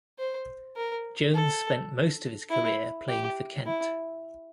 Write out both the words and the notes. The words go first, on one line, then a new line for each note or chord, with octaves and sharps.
Jones spent most of his career playing for Kent.
C5
A#4
A4
E4
G4
E4